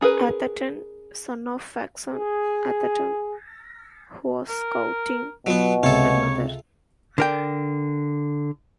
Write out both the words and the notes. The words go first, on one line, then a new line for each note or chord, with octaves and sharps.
Atherton, son of Faxon Atherton, who was courting her mother.
C#4 G#4 A#4 B4
G#4
A#4
B2 F#3 B3 F4
C#2 C3 F4 A4 C#5
D3 A#4 G5